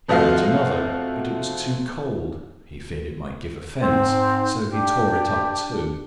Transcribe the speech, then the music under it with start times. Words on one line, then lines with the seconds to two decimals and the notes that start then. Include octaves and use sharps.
He wrote another, but it was too cold; he feared it might give offence, so he tore it up, too.
0.08 C3 F3 A3 F#4 D#5 F5
3.80 G#2 C4
4.70 D4 G4